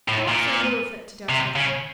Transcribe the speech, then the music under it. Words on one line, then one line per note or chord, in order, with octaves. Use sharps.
"Perhaps I will," reflected Elfreda.
A2
A#2
C3
C#3